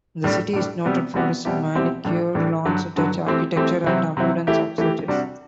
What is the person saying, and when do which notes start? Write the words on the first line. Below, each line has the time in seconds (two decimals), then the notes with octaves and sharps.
The city is noted for its manicured lawns, Dutch architecture, and abundance of churches.
0.24 A2 G3 D4
0.53 A2 G3 D4
0.85 C3 G3 B3 F#4
1.14 C3 G3 B3 F#4
1.45 B2 G3 C4 E4 G4
1.75 B2 G3 C4 E4 G4
2.05 A2 E3 G3 D4
2.35 A2 E3 G3 D4
2.65 G2 D3 F#3
2.96 G2 D3 F#3
3.26 E3 A3 C4 G4
3.56 E3 A3 C4 G4
3.86 C3 F#3 C4 E4
4.17 C3 F#3 C4 E4
4.47 E3 A3 E4 G4
4.78 E3 A3 E4 G4
5.08 C3 G3 D4 F#4